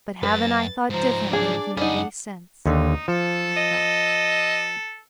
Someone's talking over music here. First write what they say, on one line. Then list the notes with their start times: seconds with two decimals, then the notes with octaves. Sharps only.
But haven't I thought differently of Mackay since, my God...?
0.23 F#2 B4 A6
0.90 G#2 F3 C5 A#5
1.33 D4 G#4 D5
1.77 F#2 G3 D4 D#4 G#4 F#5
2.66 D#2 D3 D#4
3.08 F3 A4
3.56 D#5